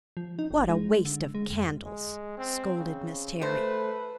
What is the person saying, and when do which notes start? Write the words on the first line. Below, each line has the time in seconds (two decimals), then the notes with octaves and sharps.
"What a waste of candles!" scolded Miss Terry.
0.17 F3
0.39 D#4
0.51 G1
0.69 G#3
1.05 D3
1.35 G#3
1.50 F2
1.85 G#3
2.38 C4
2.78 C#3
3.42 A3 B4 C5